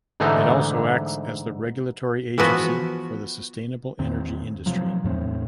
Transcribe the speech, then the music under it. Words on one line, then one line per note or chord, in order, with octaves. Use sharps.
It also acts as the regulatory agency for the sustainable energy industry.
G#2 D3 E3 A3 D#4
E3 F3 B3 F#4
E2 D#3 C4
C3 F3 F#3
E2 A2 C4